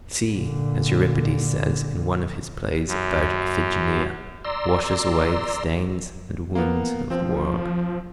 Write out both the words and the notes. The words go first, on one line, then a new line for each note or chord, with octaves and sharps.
The sea, as Euripides says in one of his plays about Iphigeneia, washes away the stains and wounds of the world.
A#2 D3
F#2
D5 A#5 C6 E6
A#3 B3
F3 C4